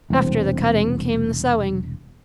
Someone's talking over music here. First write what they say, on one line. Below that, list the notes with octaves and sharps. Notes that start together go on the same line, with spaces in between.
After the cutting came the sewing.
E1 C2 B2 C4